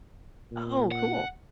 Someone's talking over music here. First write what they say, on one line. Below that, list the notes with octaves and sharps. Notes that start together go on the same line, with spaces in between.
Oh, cool.
A#2
F#5